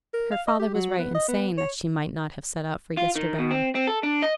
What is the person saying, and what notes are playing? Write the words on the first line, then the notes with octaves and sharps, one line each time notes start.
Her father was right in saying that she might not have set out for Yesterbarrow.
A#4
F5
D#5
G4
F#3
B3
D#5
B3
C#5
F4
D#3
B2
C4
C4
A4
D4
D#5